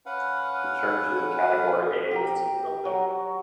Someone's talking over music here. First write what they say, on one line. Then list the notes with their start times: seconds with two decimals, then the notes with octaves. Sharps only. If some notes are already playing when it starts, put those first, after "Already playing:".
The church is a Category A listed building.
0.06 C#4 B4 F5 F#5
2.11 G4 G5 A#5
2.85 F#3